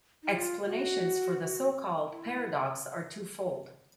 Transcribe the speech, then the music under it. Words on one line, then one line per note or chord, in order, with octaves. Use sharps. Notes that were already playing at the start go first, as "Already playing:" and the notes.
Explanations for the so-called paradox are two-fold.
D#4
E4
F4
F#4
E4